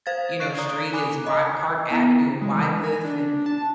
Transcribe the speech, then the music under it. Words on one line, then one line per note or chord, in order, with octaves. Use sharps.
you know, street is why Park Avenue, or why this?" and,
C5 F5 G#6 A6
C#6 F#6 C7 D7
D5 A#5 D#6
G#5 B5 D6 F#6
D#5
B3 E4
G#3
E3
G#5
D4
A5